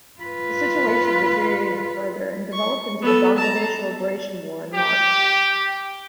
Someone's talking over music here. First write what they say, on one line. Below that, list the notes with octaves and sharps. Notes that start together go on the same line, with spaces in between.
The situation deteriorated further and developed into the Bangladesh Liberation War in March.
F4 B4
C#6
B3 A4
A5 A#5
G4